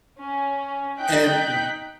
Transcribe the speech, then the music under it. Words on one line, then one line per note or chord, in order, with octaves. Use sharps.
and wha
C#4
D#4 G5 F#6 G6 B6